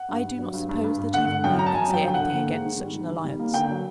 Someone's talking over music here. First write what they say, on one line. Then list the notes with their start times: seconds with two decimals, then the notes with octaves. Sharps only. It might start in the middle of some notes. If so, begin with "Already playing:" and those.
I do not suppose that even you can say anything against such an alliance.
Already playing: F#5
0.09 G2
0.23 G2
0.39 F#3
0.53 G2
0.69 G2
0.84 G2
0.99 G2
1.14 D3 F#5
1.28 D3
1.44 F#2 G5
1.59 F#2 A#5
1.66 A5
1.74 F#2 G#5
1.89 F#3 G5
2.04 D3 G5
2.14 F#5
2.19 D3
2.34 A#3
2.49 G#2
2.64 D#3
2.79 G3
2.94 G3
3.09 D#3
3.24 G3
3.39 A#3
3.54 D3 G5
3.70 F#3